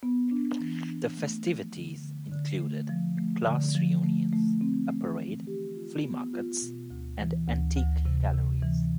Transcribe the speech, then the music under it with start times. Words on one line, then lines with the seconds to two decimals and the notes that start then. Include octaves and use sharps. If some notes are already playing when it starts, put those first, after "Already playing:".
The festivities included class reunions, a parade, flea markets, and antique galleries.
0.03 B3
0.31 D4
0.60 E3
0.89 D4
1.17 A3
1.46 F3
1.75 D3
2.03 D3
2.32 D3
2.61 A3
2.89 F3
3.18 A3
3.47 D3
3.75 F3
4.04 A3
4.33 A3
4.61 C4
4.90 A3
5.19 E3
5.47 G4
5.76 F4
6.04 B3
6.33 F4
6.62 B2
6.91 D2
7.19 E3
7.48 D2
7.77 D2
8.05 C3
8.34 C3
8.63 E3